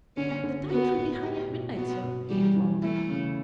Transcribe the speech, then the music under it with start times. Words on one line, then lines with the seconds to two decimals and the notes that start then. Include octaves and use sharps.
"The tide will be high at midnight, sir," he informed them.
0.17 D3 C#4
0.43 D3
0.70 B3 F#4
0.97 A2
1.23 G4
1.50 B2
1.76 B3 F#4
2.03 B2
2.30 E3 G3
2.56 E3
2.83 A3 E4
3.10 C#3